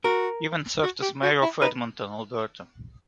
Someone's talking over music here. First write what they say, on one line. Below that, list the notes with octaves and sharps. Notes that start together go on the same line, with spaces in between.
Evans served as Mayor of Edmonton, Alberta.
F#4 A#4
F#4
G4
F#4
E4
D#4 B4